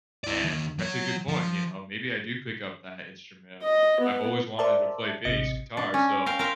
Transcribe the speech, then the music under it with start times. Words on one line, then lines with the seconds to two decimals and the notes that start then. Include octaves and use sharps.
and that's a good point, you know? Maybe I do pick up that instrument I've always I've always wanted to play bass guitar, so,
0.24 E4 D5
0.43 D#2 D#3
0.79 F#3 C#5
1.28 F3
3.62 D#5
4.00 B3
4.59 A#4 C5 D5 E5 A5
5.24 A1 C3 D#5 C#7
5.77 D4
5.94 C#4
6.26 A#4 F5 G5
6.39 A#4 C5 E5 F5 G5